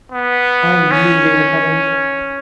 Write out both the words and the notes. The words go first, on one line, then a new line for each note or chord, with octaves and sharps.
I knew they were coming.
B3
C#4